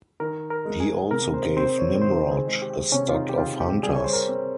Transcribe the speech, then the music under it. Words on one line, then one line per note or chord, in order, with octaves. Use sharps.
He also gave Nimrod a stud of hunters.
D#3 A#4
A#4
G#3
G#4
C3 A#4
C5
C4 C5
C#5
D#3 C5
G#4
G#3
G4
C3 C#4
F4
D#4
G4
C4 F4
G4
G3 G#4
C#5
C5
A#4
C4